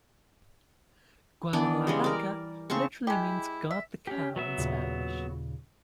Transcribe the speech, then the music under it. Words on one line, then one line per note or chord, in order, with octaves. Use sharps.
"Guardalavaca" literally means "guard the cow" in Spanish.
E3 B3 D4 D5
C#3 G3 G#3
A#4 D5
C#3 C4 A5 C#6
G#3 E4 G4
E5
C#4 G4
F#3 B3 E5
D#2 A#2 C#3